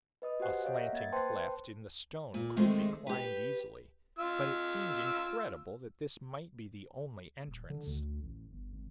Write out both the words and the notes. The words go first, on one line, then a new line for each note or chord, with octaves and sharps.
A slanting cleft in the stone could be climbed easily, but it seemed incredible that this might be the only entrance.
B4 D#5 D#6
F#4 G4 C5 F#5 G#5
C#5 D#5 F5 F#5
A#4 E5
A#3 G#6 A6
B4 C5 G5 A5 C6
A#2
C3 D#3 G#3 A3
G4 B4
F4 E6
D#1
D3
D2
A1
G1
G#1